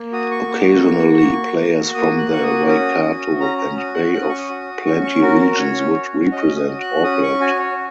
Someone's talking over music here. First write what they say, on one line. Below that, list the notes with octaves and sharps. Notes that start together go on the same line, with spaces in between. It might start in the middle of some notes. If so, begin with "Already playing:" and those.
Occasionally players from the Waikato and Bay of Plenty regions would represent Auckland.
Already playing: A#3
F#4 D#6
C#6
A#3
F#4
A#3
F#4
A#3 D#6
F#6
F#4 C#6
D#6
C#4 D#6
F#4
C#4 A#5
A#5
F#4 D#6
F#6
C#4 F#6
D#6
C#6
D#6
F#4
C#4 C#6
C#6
F#4 A#4
A#4
C#4 C#5
F#4
C#4 D#5
D#6
F#4
F#6
C#4 D#6
C#6
F#4 G#5
C#5